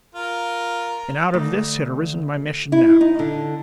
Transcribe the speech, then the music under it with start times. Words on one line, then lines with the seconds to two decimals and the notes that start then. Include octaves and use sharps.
And out of this had arisen my mission now.
0.15 F4 A#4
1.34 D2
2.72 E4
3.01 D#4
3.19 D3